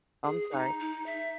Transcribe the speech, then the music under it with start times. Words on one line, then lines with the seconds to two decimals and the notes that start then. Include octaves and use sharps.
Oh, I'm sorry.
0.24 G#4
0.51 D#4
0.80 D#4
1.06 E5